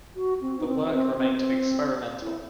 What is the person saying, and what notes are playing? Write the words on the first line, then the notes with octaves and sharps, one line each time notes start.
The work remained experimental.
F#4
C4
D#4
C4
C4
C4
E4